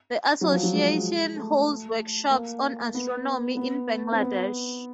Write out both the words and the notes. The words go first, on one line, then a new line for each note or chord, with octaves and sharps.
The Association holds workshops on astronomy in Bangladesh.
F#3
F3
F#3
G#3
A3
A#3
B3
B3
C4
B3